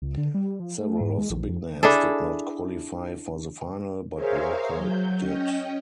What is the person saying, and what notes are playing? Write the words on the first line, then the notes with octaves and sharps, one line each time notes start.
Several of the big names did not qualify for the final, but Walker did.
C#2
D3
G3
F3
A3
G#2
G#3
A#1
F2
D4 E4 G#4 A4
G#4 A#4 C5 C#5 E5 F5
F#3 G6
C#4 D#5 G5